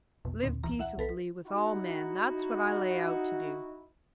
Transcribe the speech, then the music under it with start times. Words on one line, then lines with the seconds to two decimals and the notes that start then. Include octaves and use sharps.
'Live peaceably with all men'--that's what I lay out to do.
0.25 A#1 F2 B2
0.43 D#2 A#2 D3 C4
0.63 C2 E3 A#5
0.79 E4 E5 F#5
0.98 B1 A4 B4 B6
1.45 D#4 E4 F#4